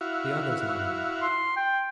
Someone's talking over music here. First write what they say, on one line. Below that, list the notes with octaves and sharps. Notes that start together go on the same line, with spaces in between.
"The others, my lord!"
E4 F#4 F5
C6
G5